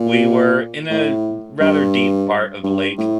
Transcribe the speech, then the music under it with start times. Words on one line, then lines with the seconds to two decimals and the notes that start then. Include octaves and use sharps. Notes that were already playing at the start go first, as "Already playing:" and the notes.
we were in a r rather deep part of the lake,
Already playing: A#2
0.90 A2
1.60 G2
2.63 G2
2.98 A2